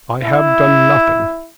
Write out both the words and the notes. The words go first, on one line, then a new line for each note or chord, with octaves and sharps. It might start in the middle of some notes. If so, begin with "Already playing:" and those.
I have done nothing.
E4